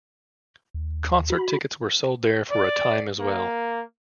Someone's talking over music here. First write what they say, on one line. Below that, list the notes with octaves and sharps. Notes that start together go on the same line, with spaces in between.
Concert tickets were sold there for a time as well.
D#2
F#4 B5
D5
A#3